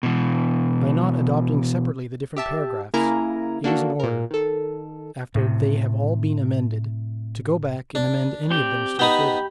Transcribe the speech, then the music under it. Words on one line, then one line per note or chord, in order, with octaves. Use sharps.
By not adopting separately the different paragraphs, it is in order, after they have all been amended, to go back and amend any of them still further.
B2 E3
G4 E5 A5
C#3 A#3 E4 A#4 G#5 A#5
A#3 D4 F#4 A4
A#2 A#4
D#3 A4
A2 C3
D4
C4 G4
B3 D#4 G4 B5 D#6